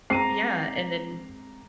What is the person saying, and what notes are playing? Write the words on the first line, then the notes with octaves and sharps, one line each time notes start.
yeah, and then
G#3 C4 A#5 D6 C7 D#7